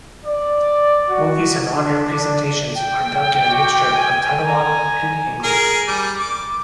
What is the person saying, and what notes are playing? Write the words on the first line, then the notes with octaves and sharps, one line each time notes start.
Movies and on-air presentations are dubbed in a mixture of Tagalog and English.
D5
F#4
D4
G5
F#4 D6
G#5
G#5 A#5
G#4 A#4
G3
D6